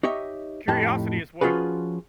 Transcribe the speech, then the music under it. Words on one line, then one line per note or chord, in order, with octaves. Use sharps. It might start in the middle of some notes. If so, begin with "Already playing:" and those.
curiosity is what
D#4 G4 C#5 D#5 E5
F2 A2 D#4 G4 A5
F3 C#4 F4 F#4 G#4 B4